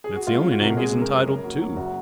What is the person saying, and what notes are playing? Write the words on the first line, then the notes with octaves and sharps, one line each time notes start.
It's the only name he is entitled to.
G#4
F#4
G#3 F4
C#4
F#4
C2 A#4
G#3 G#4
C#3
A#4
F#2
C#3 A#4
A#3 F#4
F#3 F#4
F#1 F#4